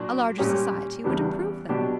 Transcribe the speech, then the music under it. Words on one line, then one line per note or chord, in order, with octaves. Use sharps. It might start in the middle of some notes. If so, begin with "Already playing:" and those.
A larger society would improve them.
Already playing: A#2 F#3 A#3 D4 F#4
A#2 G3 C#4 G4
E2 C#3 G3 B3 D4
B2 F#3 B3 D4 G4